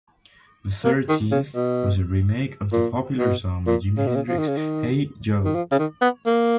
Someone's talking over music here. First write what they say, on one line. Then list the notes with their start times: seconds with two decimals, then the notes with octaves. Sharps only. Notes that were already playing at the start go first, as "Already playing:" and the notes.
The thirteenth was a remake of the popular song by Jimi Hendrix, "Hey Joe".
0.84 A#3
1.09 D#3
1.31 C#3
1.55 B2
2.73 A#2
3.19 B2
3.67 A#2
3.98 C#3
4.07 B2
4.15 C#3
4.29 F3
4.39 D#3
4.48 C#3
4.57 D#3
5.45 D#3
5.55 F3
5.72 C#3
5.79 D#3
6.01 B3
6.26 A#3